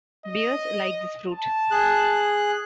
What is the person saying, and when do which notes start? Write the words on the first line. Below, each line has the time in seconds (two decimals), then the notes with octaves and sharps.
Bears like this fruit.
0.26 D#5
1.33 A5
1.71 G#4 F#6